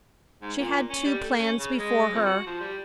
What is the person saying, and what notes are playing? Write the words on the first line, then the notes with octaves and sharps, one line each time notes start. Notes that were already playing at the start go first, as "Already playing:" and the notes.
She had two plans before her.
G#2
A#2
C#4
G3
A3
C#4
C#3
G#3
F2
F#4
F3
G3